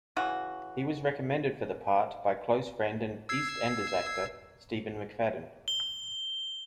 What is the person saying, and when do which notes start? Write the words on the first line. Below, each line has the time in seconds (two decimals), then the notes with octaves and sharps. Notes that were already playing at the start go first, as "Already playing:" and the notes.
He was recommended for the part by close friend and "EastEnders" actor Steve McFadden.
0.17 C#3 E3 F#4
3.29 E6 G#6 C7
5.68 G7